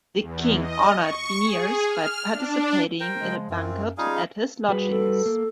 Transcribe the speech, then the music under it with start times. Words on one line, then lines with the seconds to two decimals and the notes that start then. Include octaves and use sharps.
The king honoured Phineas by participating in a banquet at his lodgings.
0.22 E2
0.59 D#5
0.96 C#6
1.43 G#4
1.87 F6
2.33 D4
3.00 A#4 C5 G5
3.19 C#3 F3 G#3
3.50 F#2 C4 F4
3.98 G3 C#4 D#4 F4 G#4 F5
4.69 G3 F#4 G#4 B4
4.90 A4
5.26 A#3